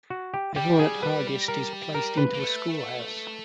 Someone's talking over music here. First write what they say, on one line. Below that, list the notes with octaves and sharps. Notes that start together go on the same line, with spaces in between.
Everyone at Hargest is placed into a school house.
F#4
G4
G3 G4
G#4
B4
A#4
A#4
B4
A#3
A3